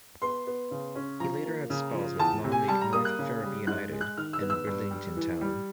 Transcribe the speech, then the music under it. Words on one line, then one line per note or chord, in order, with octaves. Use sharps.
He later had spells with non league North Ferriby United and Bridlington Town.
B3 C6
B3
C#3
C#4
F3 A#5
A#3
C#3
F3
E2 A5
C3
G#5
G3 A5
A#5
A#3 D#6
F#6
C#3
G3
G#2 F#6
G#3
F#6
D#3 F6
E6
B3
E6
G2
G3
E3
G3